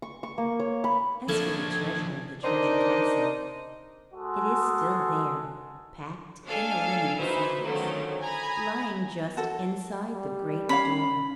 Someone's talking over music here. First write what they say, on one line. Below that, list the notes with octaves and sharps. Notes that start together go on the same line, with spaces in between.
As for the treasure of the treasure castle, it is still there, packed in the linen sacks, lying just inside the great door.
C#6
C#6
A#3
C#5
B5
D3 F3 A3 A#3 D4 A4 G#6
D4 D#4 A#4 C5 D5 D#5
G#3 F#4 A4
D4 A4 F5 G#5
D#4 E4 F#4 B4 C5 E5
D3 D#3 F3 F#3 A3 C#4
G#5 A#5 B5 D#6
F#4 A4
G3
C#4 C#5 F5 B5